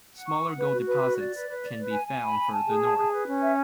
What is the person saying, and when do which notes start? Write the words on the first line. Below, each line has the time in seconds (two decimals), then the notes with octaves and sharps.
Smaller gold deposits can be found further north.
0.11 F#5
0.26 C#6
0.42 F#5
0.57 B4
0.71 F#4
0.86 B4
1.01 F#4
1.17 D5
1.32 B4
1.46 B4
1.62 D5
1.76 B4
1.92 G#5
2.07 G#5
2.21 B5
2.37 G#5
2.52 A5
2.67 G#4
2.82 A5
2.97 G#4
3.11 B4
3.26 C#4
3.41 E5